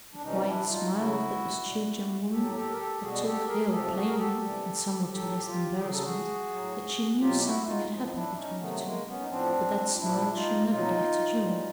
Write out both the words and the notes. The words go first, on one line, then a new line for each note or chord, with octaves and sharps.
The quiet smile of that astute young woman had told Hale plainly, and somewhat to his embarrassment, that she knew something had happened between the two, but that smile she never gave to June.
D4
C3 E3 G3 C#4 D#4
D4 E4
D#4 F4
C#3 F#3 E4 F#4
B2 G3
A2 F#3 G4 A4
G4 A4
A#4
G4 A4
B2 G3 F#4 G#4
G#4
G4 A4
G#4 A#4
A#4
C3 F3 G4 A4
F#4 G#4
A#4
G4 A4
C3 E3 G3
A2 F#3 G4 A4
F4 G4
C#3 F#3 G#4
A4
F#4 G#4
A2 F#3
B2 F#3 F4 G4
E4 F#4
D#4 F4
A2 F3
D#4
D4 E4
C#4 D#4
C3 D#3 F#3 A3 B3
G#3 A#3
B3 C#4
D#4
A2 F3 C4 D4
F4
A#2 F3 D4 E4
D#4 F4
B2 F#3 D#4 F4
A2 E3 G3